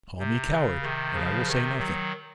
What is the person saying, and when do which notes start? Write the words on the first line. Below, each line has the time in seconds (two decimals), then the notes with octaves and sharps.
Call me coward, and I will say nothing.
0.18 C3
0.51 C#3
0.82 C3 D#3
1.14 C#3 F3
1.47 C3 D#3
1.78 D#3 F#3